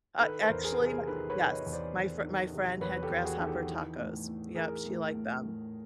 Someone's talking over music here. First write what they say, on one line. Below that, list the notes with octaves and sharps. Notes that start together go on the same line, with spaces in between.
Uh, actually, my Yes, my fr my friend had grasshopper tacos, yep, she liked them.
D#3 A4 B4
A#4 C5
E2
G#4 A#4
C3
G#4 A#4
D#3 A4 B4
B4 C#5
C3
C#5 D#5
E2
C5 D5
D#3
D#3
C3
E2 B4 C#5
G4 A4
E2
F#4 G#4
D#3
G4 A4
E3
A2
A2
E3 G#4 A#4
A2
A2
A2